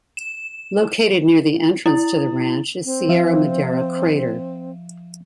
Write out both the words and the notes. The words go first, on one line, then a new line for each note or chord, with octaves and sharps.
Located near the entrance to the ranch is Sierra Madera crater.
E7
E4
C4
F3 E5 F5